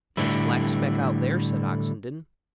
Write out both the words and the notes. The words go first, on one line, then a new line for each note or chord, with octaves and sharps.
"There's a black speck out there," said Oxenden.
A2 D3 G3 E4